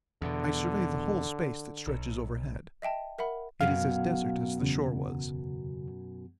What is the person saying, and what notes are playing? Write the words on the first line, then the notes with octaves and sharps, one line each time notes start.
I survey the whole space that stretches overhead; it is as desert as the shore was.
E2 B2 D3
B1
D#5 E5 G5 A5
A#4 E5 F#5 B5
F#2 B2 F#3 F5
E2 C#3